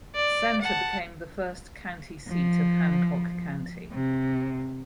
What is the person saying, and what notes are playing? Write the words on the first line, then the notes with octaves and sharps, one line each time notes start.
Center became the first county seat of Hancock County.
D5
F#5 A5
F3
C3